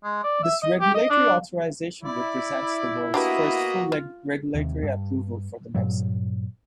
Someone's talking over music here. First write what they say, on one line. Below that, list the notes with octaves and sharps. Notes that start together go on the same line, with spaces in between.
This regulatory authorization represents the world's first full regulatory approval for the medicine.
G#3
D5
E5
D#5
G4
D#5
D4
E4 D5
A#3 B3 D4 F#4 G4 B4 D#5
F4
D#2 C3
G2
G2 A#2 F#3